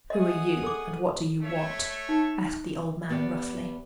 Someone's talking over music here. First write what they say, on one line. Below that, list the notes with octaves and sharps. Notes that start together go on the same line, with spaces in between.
'Who are you, and what do you want?' asked the old man roughly.
G#4 D#5 E5 F#5 D#6
A4 D6
A3 C#5 E5
D#4
E2 B3 G4 D5